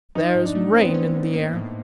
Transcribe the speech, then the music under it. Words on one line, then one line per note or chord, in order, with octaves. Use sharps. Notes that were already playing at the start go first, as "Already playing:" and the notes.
"There's rain in the air."
F3 D#4
G#2
D4
A3
C4 C#4
B3
C4
C#4
G#2
A#3
A2